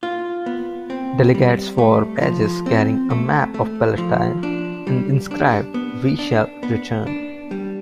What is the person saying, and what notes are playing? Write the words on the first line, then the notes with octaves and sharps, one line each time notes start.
Delegates wore badges carrying a map of Palestine and inscribed "We shall return".
F4
B3
C4
G3
A3
F3
C4
A3
A3
F3
D4
G3
D4
B3
D4
B3
D4
G3